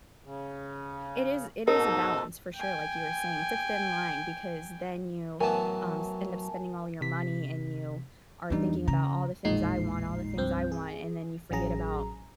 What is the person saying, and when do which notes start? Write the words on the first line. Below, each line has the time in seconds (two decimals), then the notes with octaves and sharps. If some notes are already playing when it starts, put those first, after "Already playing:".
it is it is a balance for sure, like you were saying. It's a thin line because then you, um, s end up spending all your money and you are thinking about "all the things I want, all the things I want," and then you forget about
0.24 C#3
1.68 G#2 B2 D#4 A4 A#4
2.56 G5 G#5
5.41 A2 E3 F#3 B3 A#4 G#5 A5
7.01 C3 B6
8.50 E2 E3 G3 D4 D#4
8.88 C#3 A#5
9.45 A1 E2 A#2 G#3 D#4 C7
10.37 C2 G2 C4 G6
10.72 G#4
11.51 A1 F#3 C#4 G#4 A#5